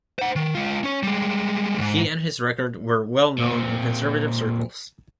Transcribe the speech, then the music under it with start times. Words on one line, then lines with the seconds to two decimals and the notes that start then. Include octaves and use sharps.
He and his record were well known in conservative circles.
0.19 C5 F#5
0.36 D#3
0.55 G#3 F4
0.83 C#4 C#5
1.03 G3 G#3
1.78 D2 G#2
3.38 A#2 C4